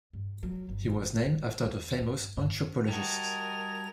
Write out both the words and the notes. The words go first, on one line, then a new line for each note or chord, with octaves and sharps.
He was named after the famous anthropologist.
G2
F#3
G1
F4
E2
G2
G2
G3 F#4 A#4 D#5 G#5 A5 F7